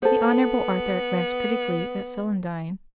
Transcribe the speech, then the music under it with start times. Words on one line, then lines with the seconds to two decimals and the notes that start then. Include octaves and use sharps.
The Honourable Arthur glanced critically at Celandine.
0.03 B3 A4 C5